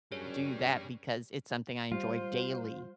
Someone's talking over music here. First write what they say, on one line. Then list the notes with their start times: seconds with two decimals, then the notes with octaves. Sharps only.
do that because it's something I enjoy daily.
0.12 F#2 G3 C#4 D4 G#4 C#5
1.92 G3 F4 C5